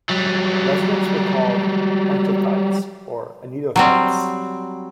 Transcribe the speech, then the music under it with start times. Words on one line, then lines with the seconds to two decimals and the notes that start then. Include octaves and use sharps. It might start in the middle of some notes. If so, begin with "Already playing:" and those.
Residents were called Antothites or Anetothites.
0.10 F#3 G3
3.76 F#3 G3 C4